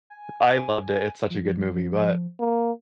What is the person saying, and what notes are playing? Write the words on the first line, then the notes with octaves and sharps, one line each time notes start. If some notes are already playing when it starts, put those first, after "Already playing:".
I loved it, it's such a good movie, but
G#5
F3
A#3